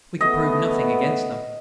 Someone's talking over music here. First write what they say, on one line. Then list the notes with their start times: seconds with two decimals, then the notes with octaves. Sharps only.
We could prove nothing against them.
0.21 A3 B3 D#5